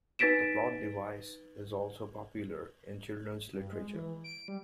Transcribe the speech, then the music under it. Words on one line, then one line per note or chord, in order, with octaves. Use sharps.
The plot device is also popular in children's literature.
D#4 B4 A6 B6 D7 E7
G2
G#3
E3
D7
G3